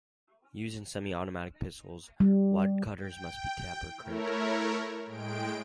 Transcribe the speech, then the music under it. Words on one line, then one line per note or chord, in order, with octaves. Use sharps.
Used in semi-automatic pistols, wadcutters must be taper crimped.
G3
G5
A3 E4 A#4 C#5
A2 G#3 G5 D7